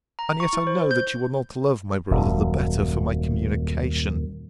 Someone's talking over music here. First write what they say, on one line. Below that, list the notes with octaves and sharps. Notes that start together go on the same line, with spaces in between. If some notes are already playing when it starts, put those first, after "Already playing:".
And yet I know that you will not love my brother the better for my communication.
A#5
C#6
E4
C5
G6
D#1 F#2